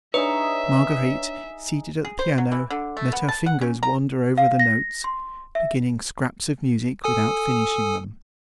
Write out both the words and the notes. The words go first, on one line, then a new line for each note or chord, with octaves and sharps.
Marguerite, seated at the piano, let her fingers wander over the notes, beginning scraps of music without finishing them.
D4 D#4 G#4 B4 C#5 E5
G#4
C5
F#3
E3
D3
A3
B3
A5
F#5
C#4
A#5
F5
A#6
C6
E5
A4 G#5 D#6